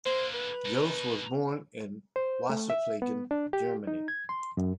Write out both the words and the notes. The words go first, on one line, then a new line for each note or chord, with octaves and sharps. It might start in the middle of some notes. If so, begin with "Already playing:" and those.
Jooss was born in Wasseralfingen, Germany.
D3 A#3 C5
B4
B2 D#4
C5
A3
E5
B3
D4
G4
D#4
G#6
C6
F#2